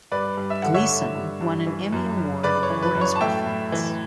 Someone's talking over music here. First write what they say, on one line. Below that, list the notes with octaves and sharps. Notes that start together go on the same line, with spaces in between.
Gleeson won an Emmy Award for his performance.
G2 B4 D5
G2
E5
D3 F#5
C#5 E5
D3
G2
G2
E3
F#2
F#2
C#3 B4 D5
C#5
E3
B4
F#2
C#5
A5
A2 E5 G5
A2
E3